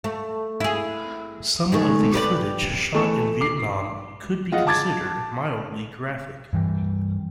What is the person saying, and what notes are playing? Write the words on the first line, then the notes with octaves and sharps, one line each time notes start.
Some of the footage shot in Vietnam could be considered mildly graphic.
A3
E4 G#4
D#3 G#3 A3
G4 B4 D5
E3 A3 A4 C#6 E7
D6 C7
G#3 F4 D#5 F#5
A5 D6 G#6 A6
G2 E3 G3